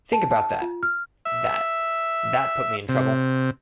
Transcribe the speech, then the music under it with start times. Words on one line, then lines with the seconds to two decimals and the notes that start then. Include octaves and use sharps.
Thing about that... that - that put me in trouble.
0.13 A5
0.31 A5
0.62 F4
0.83 F6
1.25 E5
2.89 C3